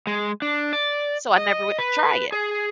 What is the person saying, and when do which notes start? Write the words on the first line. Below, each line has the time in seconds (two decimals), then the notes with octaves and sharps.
so I never would, eh, try it.
0.07 G#3
0.42 D4
0.73 D5
1.37 D#5
1.78 B4
2.32 G#4